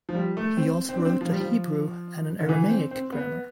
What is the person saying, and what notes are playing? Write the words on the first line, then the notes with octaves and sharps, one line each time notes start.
He also wrote a Hebrew and an Aramaic grammar.
F3
G3
A3
C4
C4
D4
C4
F3
G3
F3
D3
E3
C4
C4
B3